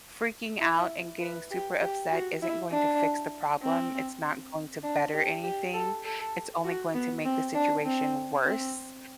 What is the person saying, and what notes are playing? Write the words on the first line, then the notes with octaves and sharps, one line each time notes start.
freaking out and getting super upset isn't going to fix the problem, it's not going to better anything, it's only going to make the situation worse,
E4
B4
G4
G4
F#4
E4
D4
C4
D4
G4
G4
A4
A4
F#4
B3
C4
D4
C4
C4